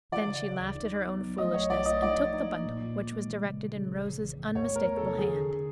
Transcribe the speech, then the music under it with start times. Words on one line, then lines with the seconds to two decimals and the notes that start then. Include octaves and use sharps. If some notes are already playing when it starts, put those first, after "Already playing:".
Then she laughed at her own foolishness, and took the "bundle," which was directed in Rose's unmistakable hand.
0.12 E3 D5
0.28 C#3
0.44 C#3
0.59 D2
0.75 D#4
0.91 D#4
1.07 B3
1.23 F#3
1.38 A3 D#5
1.54 B1 C#5
1.70 B1 D5
1.86 A3 D#5
2.02 D#4 D5
2.18 F3
2.34 D#4
2.49 A#3
2.65 A#2
2.81 A#2
2.97 A#2
3.13 G#3
3.28 E3
3.44 C#3
3.60 C#3
3.76 C#3
3.92 A#1
4.08 A#1
4.24 E3
4.39 A2
4.55 E2 C#5
4.71 A3 A#4
4.86 E2
4.97 A4
5.03 C3
5.18 D3 G#4
5.34 D3
5.50 D3